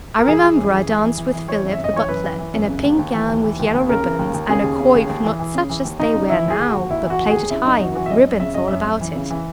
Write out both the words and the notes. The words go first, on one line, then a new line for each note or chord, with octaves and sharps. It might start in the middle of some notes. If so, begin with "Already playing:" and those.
I remember I danced with Philip, the butler, in a pink gown, with yellow ribbons, and a coif, not such as they wear now, but plaited high, with ribbons all about it.
A#4
E3 G#4
E3
F#2
E3
E3
E3
E3
E3
E3 C#5
F#2
E5
F#2
D#5
E3 C#5
F#2 B4
E3
E3
F#2
C#3
D#2
D#2
E3
D#2
E3
D#2
D#2
C#3 A#4
C#3
D#2
D#2
C#3 G#4
D#2
C#3
D#2
D#2
E3
E3
C#3
E3
D#2
D#2 D#4
C#3
E3 E4
D#2 G#4
D#2
F#4
D#2
D#2 E4
E3
F#4
E3
D#2 G#4
C#3 E4
F#2 D#4
F#2 F#4
E3 F#4
E5
F#2 D#5
F#2
C#3 E5
F#2 D#5
F#2 E5
F#2
E3
C#3
E3